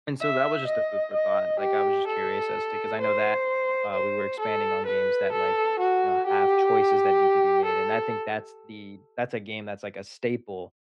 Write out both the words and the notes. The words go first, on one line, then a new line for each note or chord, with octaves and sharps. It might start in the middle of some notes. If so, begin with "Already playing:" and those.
And so that was just a food for thought, like, I was just curious as to 'cause I know that, uh, we were expanding on games that, like, you know, have choices that need to be made, and I think that's the that's a game that's like a staple
E5
D#5
D#5
G4
A4
C5
C5
A4
B4
A4
F#4
G4
A4